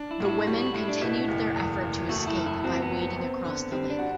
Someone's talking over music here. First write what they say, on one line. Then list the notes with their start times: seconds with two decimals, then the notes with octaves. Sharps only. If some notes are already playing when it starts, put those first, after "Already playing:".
The women continued their effort to escape by wading across the lake.
Already playing: D4
0.11 E4
0.20 A2 F#4
0.29 E4
0.47 G3 F#4
0.61 F#4
0.74 A2 E4
0.88 D4
1.01 B2 E4
1.28 F#1
1.56 E2
1.83 F#1
2.09 A3 F#4
2.27 E4
2.37 F#2
2.46 E4
2.64 F#3 C4
2.82 B3
2.91 C4
3.00 B3
3.18 C4
3.45 D3
3.71 G3 C4
3.90 D4
3.99 F#4